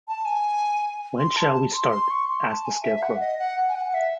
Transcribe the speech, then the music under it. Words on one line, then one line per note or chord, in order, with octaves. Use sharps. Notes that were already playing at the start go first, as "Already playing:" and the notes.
When shall we start? asked the Scarecrow.
A5
G#5
C6
A5
A5
C6
C6
C#6
C6
A5
G#5
E5
E5
F#5
D#5
F#5
G#5
F#5
E5